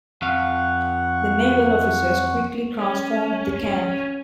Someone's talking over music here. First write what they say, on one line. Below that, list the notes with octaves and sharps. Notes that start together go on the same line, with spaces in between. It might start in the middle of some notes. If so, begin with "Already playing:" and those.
The naval officers quickly transformed the camp.
F2 F5 F#5 C#6 F#6
C#4
C#4